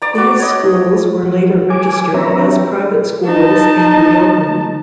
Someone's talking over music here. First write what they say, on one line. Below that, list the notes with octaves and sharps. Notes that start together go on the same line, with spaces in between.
These schools were later registered as private schools and reopened.
D5 A#5
F#4 D6
C#5 D#5
F3 F#4
G#5 D6
C4 D4 B4 C#5 E5 A#5
G4
D#4 A5